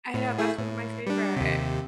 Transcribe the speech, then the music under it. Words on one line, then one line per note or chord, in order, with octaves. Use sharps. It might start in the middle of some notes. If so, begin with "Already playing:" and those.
I know, that's one of my favorite.
A2
A3 E4 G#4
A2
G3 D4
D#2 C3